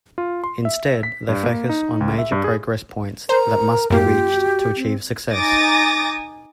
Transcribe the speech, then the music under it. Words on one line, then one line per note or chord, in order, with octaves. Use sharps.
Instead, they focus on major progress points that must be reached to achieve success.
F4
C6
E5
B6
G2
A#3
D#4
C#2
E5
G2
G#4
A#4 C5 A#5
F#2 A#3 G4 A#4
F4
F#4
C4
D#4 G#5 D6 D#6 A6 A#6